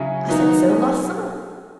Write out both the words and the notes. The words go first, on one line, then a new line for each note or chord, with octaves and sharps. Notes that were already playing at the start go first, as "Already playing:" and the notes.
I said so last summer.
Already playing: C#3 F#3 C#4 E4 G#4
D#3 F#3 B3 D#4 F#4
B2 F#3 C#4